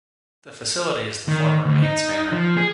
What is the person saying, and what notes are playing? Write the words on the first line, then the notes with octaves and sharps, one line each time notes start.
The facility is the former Mains Manor.
D#3
D2
D#4
F3
G#4